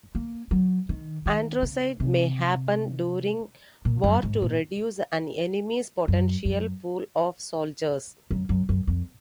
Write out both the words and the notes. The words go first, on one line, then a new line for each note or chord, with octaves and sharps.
Androcide may happen during war to reduce an enemy's potential pool of soldiers.
A#3
F#3
D#3
D#3
C#3
C3
A#2
F#2
G#2
A#2
F#2
F#2
F#2
F#2
F#2
F2